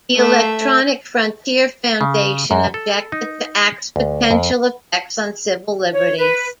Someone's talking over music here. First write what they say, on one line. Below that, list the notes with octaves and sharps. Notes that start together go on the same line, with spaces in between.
The Electronic Frontier Foundation objected to Act's potential effects on civil liberties.
A3 E5
C#3
F#2
A4
D#4
D2
F2
C#5
B4